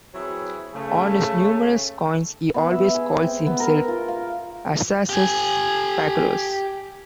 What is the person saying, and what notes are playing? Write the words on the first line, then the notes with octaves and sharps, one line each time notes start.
On his numerous coins he always calls himself "Arsaces Pacorus".
F#3 C4 E4 G#4 B4 C#5
C#3 A3
B3
E5
G#4
C4
B3
A#4
F4
F5
G4 G#5